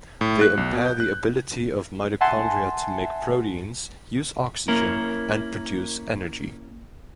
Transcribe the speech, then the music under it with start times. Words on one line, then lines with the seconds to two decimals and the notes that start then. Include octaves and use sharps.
They impair the ability of mitochondria to make proteins, use oxygen, and produce energy.
0.21 A2
0.41 F#6
0.57 B1
0.73 B2
0.86 G6
1.00 F#6
2.21 E5 F#5 G#5 A5 C6
4.68 A#3 C#4 E4 A#4